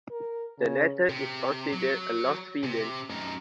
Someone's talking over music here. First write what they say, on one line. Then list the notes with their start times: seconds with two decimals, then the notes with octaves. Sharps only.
The latter is considered a lost film.
0.11 A#4
0.59 C#3
1.10 C3
1.73 F#3
2.63 C3
3.10 F#2 D#4